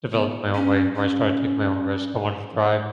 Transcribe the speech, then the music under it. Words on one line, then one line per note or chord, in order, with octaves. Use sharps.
developed in my own way where I started to take my own risk, I wanted to drive.
B3
C#4
C#4